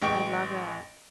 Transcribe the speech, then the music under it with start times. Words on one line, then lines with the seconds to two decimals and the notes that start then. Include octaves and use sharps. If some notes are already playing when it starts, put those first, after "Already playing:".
I love that.
0.02 A1 G#3 G5 C#6 D7